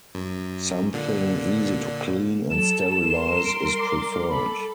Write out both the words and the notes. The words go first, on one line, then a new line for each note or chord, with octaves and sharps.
Something easy to clean and sterilize is preferred.
F#2
A#2 D3
F#3 A4 E7
G3 A#4 C6
D7
D6
A4 B5